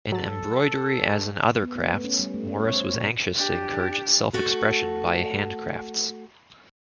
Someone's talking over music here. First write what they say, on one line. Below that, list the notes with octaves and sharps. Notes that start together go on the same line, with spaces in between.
In embroidery as in other crafts, Morris was anxious to encourage self-expression via handcrafts.
F#3 A4 A6
B3
B3
A3
C#4
G3
A3
C#4
C#5
C5
A#2
D4 G4
A3 F#4 A4